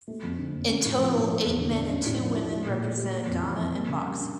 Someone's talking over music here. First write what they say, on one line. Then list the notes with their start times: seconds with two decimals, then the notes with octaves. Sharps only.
In total eight men and two women represented Ghana in boxing.
0.08 A3
0.23 F2
0.38 D3
0.54 F2
0.69 C#4
0.85 A2
0.99 F3
1.15 A2
1.30 A3
1.44 E2
1.60 D3
1.76 D4
1.90 C#4
2.06 A2
2.21 F3
2.36 E4
2.51 E4
2.66 A#2
2.82 A3
2.97 G4
3.12 A#3
3.27 F2
3.43 E3
3.57 F2
3.72 A#3
3.88 C#3
4.03 G3
4.18 D4